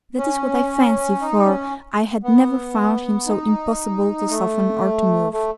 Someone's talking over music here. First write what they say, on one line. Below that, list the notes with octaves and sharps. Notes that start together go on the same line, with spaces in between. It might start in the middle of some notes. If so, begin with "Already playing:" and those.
That is what I fancy, for I had never found him so impossible to soften or to move.
C#4
D#4
C#4
B3
D#4
A3
A3